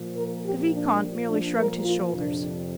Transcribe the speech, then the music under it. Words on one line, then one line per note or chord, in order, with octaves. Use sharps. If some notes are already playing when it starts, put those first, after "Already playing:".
The vicomte merely shrugged his shoulders.
Already playing: A#2 F3
A#4
G4
D4
A#2 F3
D4
A#4
F4
F2 C3 F3 D4